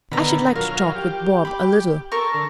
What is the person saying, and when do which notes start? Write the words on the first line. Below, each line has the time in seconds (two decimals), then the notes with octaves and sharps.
"I should like to talk with Bob a little."
0.12 B2 D3 D#3 A#5 B5
0.56 F#3 F4 A#4 F6
0.95 G4
1.45 B5 D6
2.12 A4 A#4 C#5 C#6
2.34 D3